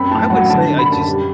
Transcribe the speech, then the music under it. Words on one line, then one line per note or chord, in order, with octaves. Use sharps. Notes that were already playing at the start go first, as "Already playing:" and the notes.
I would say I just
Already playing: F#2 C4 B5
A2 A5
F#3 F#5
D3 A5
D3
B5
F#2 A5
G3